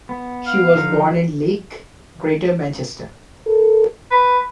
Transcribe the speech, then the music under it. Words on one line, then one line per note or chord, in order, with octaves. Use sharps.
She was born in Leigh, Greater Manchester.
B3
F5
D3 F3 D#4
B4